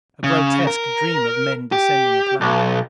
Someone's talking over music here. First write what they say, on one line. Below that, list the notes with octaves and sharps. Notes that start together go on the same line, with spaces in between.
A grotesque dream of men descending a plank.
C#3
A#4
G4
B1